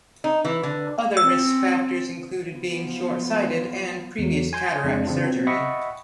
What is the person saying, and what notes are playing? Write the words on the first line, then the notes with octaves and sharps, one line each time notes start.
Other risk factors include being short sighted and previous cataract surgery.
D#4
E3
D3
C4 C#4 E6
F3 F#3 B3 F4
E2 F#3
G#5 C6 G6
F2 G#3 D4
C#3 E3 C4 D4 F4
F#3 C4
D#5 E5 F#5 G5 B5 C#6